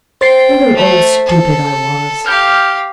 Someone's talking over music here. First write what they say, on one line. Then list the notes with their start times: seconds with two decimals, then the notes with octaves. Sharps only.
What an old stupid I was!
0.21 C5 G5 A6 C7
0.75 A3
1.26 A4
2.26 G4 F5 F6 G6